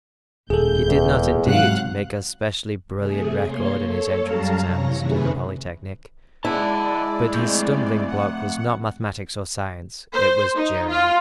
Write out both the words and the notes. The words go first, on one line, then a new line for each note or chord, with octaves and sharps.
He did not, indeed, make a specially brilliant record in his entrance examinations to the Polytechnique; but his stumbling block was not mathematics or science, it was--German!
D#1 C#2 G#4 A4 G6
E2
G#2 C3 F#3 F5 F#5 F#6
C3 A3 G#4
A#3 C#5 C6
A4 C#5
F#2 G3 F5 A5 A#5
C3 E3 C#5 A#6
F#2 C3 D#3 A3 G#4 B4
G#3 E4 D5 F#5 A5
A3 C4
F#5
C5
D#4
F4